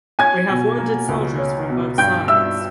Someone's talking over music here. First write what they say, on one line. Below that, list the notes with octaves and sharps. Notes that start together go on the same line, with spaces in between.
We have wounded soldiers from both sides.
C#4 G#5 G#6
B2
A#3
C#2
C#4
B2
G2 G5 G6
G3 E5 E6